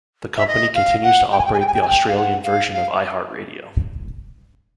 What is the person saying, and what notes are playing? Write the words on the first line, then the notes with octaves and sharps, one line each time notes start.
The company continues to operate the Australian version of iHeartRadio.
E5
D#5
F5
F#5
G5
G#5
G5
G#5
G5
G#5
G5
G#5
G5
F5
F#5
F5
F5